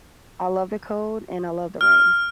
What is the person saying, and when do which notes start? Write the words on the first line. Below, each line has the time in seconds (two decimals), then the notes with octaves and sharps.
I love the cold, and I love the rain.
1.81 F6